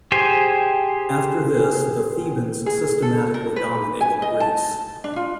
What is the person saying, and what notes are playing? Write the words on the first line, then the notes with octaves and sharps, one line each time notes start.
After this, the Thebans systematically dominated Greece.
G4 G#4 C5 G#5
G#4
A4
A#4
B4
G#5
D#5
A5
D4
F4